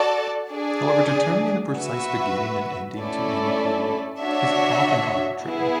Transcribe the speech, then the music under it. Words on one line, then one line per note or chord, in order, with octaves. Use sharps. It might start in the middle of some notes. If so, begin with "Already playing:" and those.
However, determining the precise beginning and ending to any "period" is often arbitrary.
Already playing: F#4 A4 D5 A5
D4 G#4 D5
F#4 B4 E5
A3 C#4 E4 A4 D5
D4 F#4 C#5 E5
B3 E4 G#4